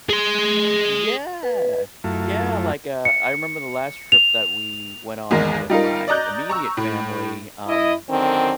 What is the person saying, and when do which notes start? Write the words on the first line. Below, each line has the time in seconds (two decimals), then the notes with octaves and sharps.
Yeah! Yeah, like, uh, I remember the last trip that we went on with my immediate family, um
0.10 G#4 C6
1.43 B4
2.04 F#2 A3 E4 F4
3.05 C#7
4.12 F7
5.31 G#1 E2 G#3 A#4
5.70 G3 D#4 F4 A#4
6.08 D5 D#5 A#5 F#6 G6
6.49 A#5 C#6 E6
6.77 A2
7.67 E4 D#5
8.10 F#2 D3 D#3 C4